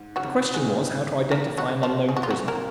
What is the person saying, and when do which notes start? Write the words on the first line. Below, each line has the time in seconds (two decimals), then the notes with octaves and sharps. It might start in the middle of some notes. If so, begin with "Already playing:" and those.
The question was how to identify an unknown prisoner.
Already playing: G#2
0.16 C#3 F#3 F#4
0.25 C3
0.33 A#2
0.41 C3
0.54 D#3 G#3 G#4
0.63 C#3
0.72 C3
0.80 C#3
1.24 D#3
1.31 C#3 A#3 A#4
1.58 F#3 F#4
1.83 F3 F4
2.09 C3 G#4
2.17 A#2 F#4
2.23 F4
2.27 C3 F#3 F#4
2.48 A#3 A#4